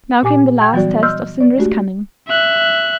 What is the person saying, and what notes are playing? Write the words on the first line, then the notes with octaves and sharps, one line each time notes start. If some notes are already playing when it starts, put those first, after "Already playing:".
Now came the last test of Sindri's cunning.
A#2 G4 G#5 D6
G5 G#6
E3 F#3 G3 B3 F#4 D5
D#5 C6 E6 F6 G6
D5
G#3 A3 D4 F#4 G4
E5 F#6